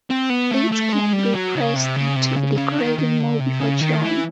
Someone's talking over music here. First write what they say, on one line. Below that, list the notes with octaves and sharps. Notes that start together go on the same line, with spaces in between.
It can be pressed into a decorative mold before chilling.
C4
B3
A3
A3
G#3
G3
F#3
C#3
C3
C#3
C3
C#3
C#3
D#3
D#3
D3
C3
C#3
D#3
E3